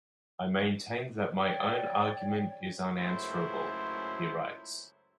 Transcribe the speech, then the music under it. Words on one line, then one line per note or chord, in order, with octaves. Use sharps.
"I maintain that my own argument is unanswerable", he writes.
C#5 D5 G5
C#2 F#2 A3 E4 C5